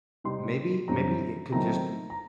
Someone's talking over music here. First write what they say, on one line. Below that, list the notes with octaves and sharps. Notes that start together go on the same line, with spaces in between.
maybe maybe it could just
C3 G3 C4 D#4 C6
F#2 D3 G3 C4 A#5
D#3 F#3 A3 C4 A#5
A#5